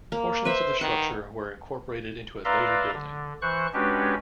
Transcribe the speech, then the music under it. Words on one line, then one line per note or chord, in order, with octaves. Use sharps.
Portions of the structure were incorporated into a later building.
A#3
B4 C5 E5
D#3 F#5
B4 D5 E5 F5 A#5 C6
D3
E3 C5 C#6 F#6
G#3 C#4 D4 F#4 G4 B4